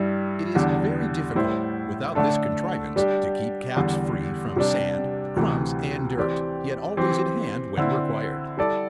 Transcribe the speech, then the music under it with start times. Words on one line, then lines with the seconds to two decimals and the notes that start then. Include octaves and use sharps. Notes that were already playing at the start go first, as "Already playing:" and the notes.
It is very Difficult, without this contrivance, to keep caps free from sand, crumbs, and dirt, yet always at hand when required.
Already playing: G2 G3 E4
0.55 E2 D3 G3 D4
1.35 A2 G3 E4 C5
2.15 D3 A3 D4 A4
2.96 G3 D4 G4
3.76 E2 D3 G3
4.56 C3 G3 D4
5.36 D2 C3 E3
6.17 E3 C4 G4 D5
6.97 E3 C4 G4
7.77 D3 C4 E4
8.57 G3 E4 A4 D5